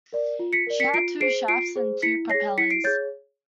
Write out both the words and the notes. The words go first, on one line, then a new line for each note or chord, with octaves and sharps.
She had two shafts and two propellers.
A#4 D5
F4
B6 C#7
A#4 D5
B6 C#7
F4 C7 D7
G#4 C5 C7 D7
F4 C7 D7
G#4 C5
E4 B6 C#7
G#4 C#5 A#6 C7
E4 B6 C#7
C7 D7
G#4 C#5 G6 A6